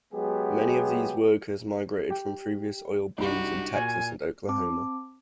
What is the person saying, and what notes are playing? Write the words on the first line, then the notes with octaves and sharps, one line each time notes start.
Many of these workers migrated from previous oil booms in Texas and Oklahoma.
F#3 G#3 B3 G4 G#4
G4 G5
C2 D4 D#4 F#4 G4 B5
A#2 G#5
C4 A5 D6